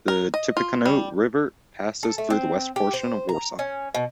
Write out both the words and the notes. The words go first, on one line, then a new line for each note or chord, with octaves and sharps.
The Tippecanoe River passes through the West portion of Warsaw.
A#4
D#5
F4
G3
A4
A3
C4
G4
C5
A#5
C#4
B2